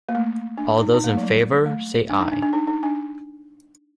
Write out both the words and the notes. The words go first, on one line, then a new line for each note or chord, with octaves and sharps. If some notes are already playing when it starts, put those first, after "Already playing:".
All those in favour, say Aye.
A#3
A3
D4
D#4
D#4
A#3
A3
F#3
G3
A3
D4
D#4
D4
D4
D#4
D#4
D4